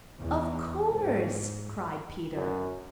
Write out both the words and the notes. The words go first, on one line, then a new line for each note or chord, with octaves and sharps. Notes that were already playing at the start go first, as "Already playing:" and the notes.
"Of course," cried Peter.
E2
G#2
F#2